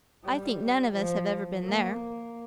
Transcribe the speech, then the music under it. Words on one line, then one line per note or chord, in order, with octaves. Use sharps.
I think none of us have ever been there.'
G3
F3
A#3